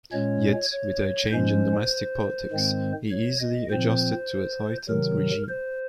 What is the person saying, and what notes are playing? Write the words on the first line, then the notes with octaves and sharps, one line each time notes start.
Yet, with a change in domestic politics, he easily adjusted to a tightened regime.
A#2 G#3 C#4 C#5
C#5
G#2 F3 G#3 C#4 C5
G#2 D#3 G#3 C4
C#5
D#5
A#2 F3 C4 C5
C3 D#3 F#3 A#4
C5